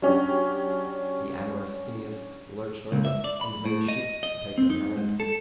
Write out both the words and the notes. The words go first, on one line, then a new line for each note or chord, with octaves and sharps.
The amorous Phineas lurched over, and made shift to take her hand.
F#3 C#4 D4 G4
C#2
E5
D5
B5
A2
D#5
D#5
C4
D#4
G#2
A4